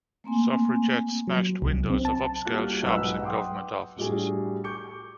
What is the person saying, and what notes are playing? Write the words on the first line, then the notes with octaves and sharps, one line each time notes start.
Suffragettes smashed windows of upscale shops and government offices.
A3 A#3 C4 G#5
F#3
C2
C4
A5
G3 A#3 F#4 F6 F#6
B1 G#2 B4 F#5 E6 F#6
F#5 G5 C6 D6 D#6
A2 G3 D4 F#4 G#4
C#6 D6 G6 C#7